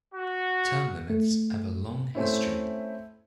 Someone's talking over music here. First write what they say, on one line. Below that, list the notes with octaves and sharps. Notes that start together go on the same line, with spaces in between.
Term limits have a long history.
F#4
A3
A3 C4 C#4 E4